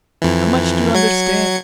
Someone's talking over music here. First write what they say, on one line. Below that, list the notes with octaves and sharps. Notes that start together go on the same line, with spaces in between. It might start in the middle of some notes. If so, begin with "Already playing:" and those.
How much do you understand?
F2 E3
F#3 G#6 C#7